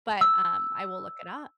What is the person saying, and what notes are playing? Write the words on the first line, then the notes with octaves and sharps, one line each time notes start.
But, um, I will look it up.
E6